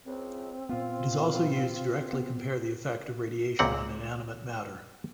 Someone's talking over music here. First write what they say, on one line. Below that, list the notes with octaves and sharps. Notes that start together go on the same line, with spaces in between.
It is also used to directly compare the effect of radiation on inanimate matter.
C#2 C4
A#2 B3 F4
B3
C#2 A#2 C4 F#5